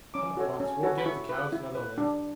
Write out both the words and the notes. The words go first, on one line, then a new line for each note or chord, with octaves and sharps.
Come at once; we'll give the cows another lift.
C#4 D6
F#4 A4 C#5
C#4
F#4 A4 C#5
B5
E4 C#6
B4
E4
B4
D4